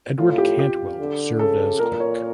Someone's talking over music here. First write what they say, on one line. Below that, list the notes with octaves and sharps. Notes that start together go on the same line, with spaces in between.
Edward Cantwell served as clerk.
A2 F4
F4
G4
G4
D3
C#3 A4
A#2 A#4
C#5